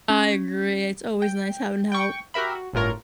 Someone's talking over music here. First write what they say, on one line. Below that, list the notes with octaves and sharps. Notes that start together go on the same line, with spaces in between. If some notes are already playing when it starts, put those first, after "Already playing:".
I agree, it's always nice having help.
C#4
G5
G5 C#6
F#4 G4 A#4 E5 B5
F#4
G1 A2 F4 A#4 C#5